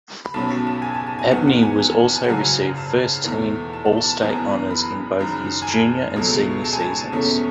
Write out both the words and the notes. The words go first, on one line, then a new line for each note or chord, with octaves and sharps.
Abney was also received first-team all-state honors in both his junior and senior seasons.
B5
B1 B2 F#3 C#4 A5
A5
A5
G#5
A5
A5
G#5
E2 D#3 F#3 B3 F#5
F#5
G#5
G#5
A5
A5
G#5
F#5
G#1 F#2 C#3 F#3 G#5
A5
E2 B2 A3
A5
A5
A5
A5
F#1 F#2 E3 B3 G#5
B5
F#1 F#2 D#3
G#5
A5
C#2 B2 F#3 A3
A5
G#5
A5
E2 B2 A3 C#4